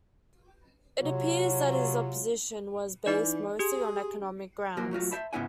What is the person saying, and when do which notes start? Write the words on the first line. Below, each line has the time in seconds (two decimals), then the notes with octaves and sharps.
It appears that his opposition was based mostly on economic grounds.
1.01 C3 F#3 F4 C#5
3.06 E3 D#4 D5
3.59 G4 G#4
4.77 F3 F#3 A#3 F#4
4.91 F#3 A3 F4 F#4
5.11 C5 E5 A5 B5
5.33 G#2 C#3 B3 E4 F#5 G#5